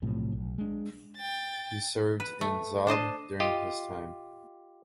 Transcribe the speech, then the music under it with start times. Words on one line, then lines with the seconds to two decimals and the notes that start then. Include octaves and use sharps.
He served in Zhob during this time.
0.02 B1 A2 C3 F3
0.32 B1
0.58 G#3 D4
1.17 G5 A6
2.20 B4
2.41 A3
2.87 D4 C5 D#5 A5
3.40 F4 G4 D#5